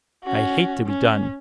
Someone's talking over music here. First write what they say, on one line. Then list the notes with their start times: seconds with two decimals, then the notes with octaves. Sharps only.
I hate to be done.
0.24 C#4 F#4
0.86 C#4